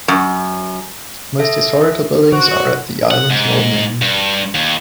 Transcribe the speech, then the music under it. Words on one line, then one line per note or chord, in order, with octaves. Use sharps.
Most historical buildings are at the island's northern end.
F#2
A4 E5
F#4 C5
F#5
G#2
G2
D#2